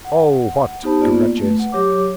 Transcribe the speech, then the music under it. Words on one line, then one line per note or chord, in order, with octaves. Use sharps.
Oh, what grudges!
F#5
B3 D#4 G4 C5 A5 B5
A#3 B3 F4 D5
A3 B4
F#5
F#3 G4 C#5 D6